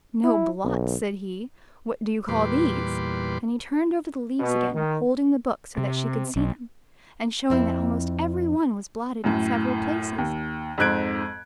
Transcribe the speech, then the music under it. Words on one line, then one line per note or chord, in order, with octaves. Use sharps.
"No blots?" said he; "what do you call these?" and he turned over the leaves again, holding the book so that she could see them, and showing that almost every one was blotted in several places.
E4
B1
E2 A#2 G3 B4 C6 D6
B2
D#3
C3
B1
F2 C4 E4
F#2 A2
D#2
F2 G#2 C4 F#6 G#6 D7